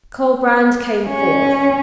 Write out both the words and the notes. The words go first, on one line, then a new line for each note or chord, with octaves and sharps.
Colbrand came forth.
C#4